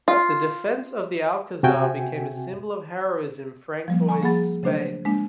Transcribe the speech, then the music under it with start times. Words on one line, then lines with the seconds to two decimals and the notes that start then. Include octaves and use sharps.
The defence of the Alcazar became a symbol of heroism in Francoist Spain.
0.08 F4
1.63 C3 C4 F#4 E5 G5 G#5
3.88 F3 G3 A#3
4.09 G#5 A#5 C#6
4.22 F3 A#3 G#4 F#5 B5 A6
4.63 C#3 F#3 A3 D4 C5
5.05 G#3 A#3 D4